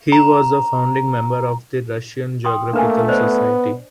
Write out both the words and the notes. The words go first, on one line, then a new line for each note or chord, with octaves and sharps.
He was a founding member of the Russian Geographical Society.
A#5
G5 C6 D#6
A3 A#3 D4 B4 G#5
B3 C5 D5 D#5